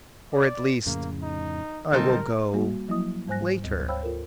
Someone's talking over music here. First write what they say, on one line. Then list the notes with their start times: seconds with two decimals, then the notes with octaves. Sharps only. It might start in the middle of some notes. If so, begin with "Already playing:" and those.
"Or, at least, I will go--later."
0.33 D5
0.86 F2 A2 C#3 A#3
1.22 D#4
1.92 D3 F#3 G3 C4 D#4 A4 A#4
2.54 G3 A#3 F#4
2.88 F3 F#3 A#3 E4 D#5 D#6
3.28 G#2 G3 C5 G#5 F#6 A#6
3.64 D2
3.88 C5 C#5 F5 G5 B5 E6
4.03 F4 A4 A#4